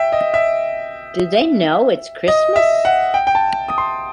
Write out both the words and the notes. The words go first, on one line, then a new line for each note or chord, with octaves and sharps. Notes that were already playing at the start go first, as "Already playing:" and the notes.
Do They Know It's Christmas?
Already playing: E5 G5
D#5
E5
D#5
E5
F#5
G5
G5
A5
D#6
C6